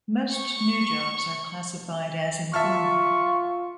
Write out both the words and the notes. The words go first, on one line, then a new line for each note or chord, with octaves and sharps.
Most new jobs are classified as informal.
C#6
F4 E5 A5 C#6 F6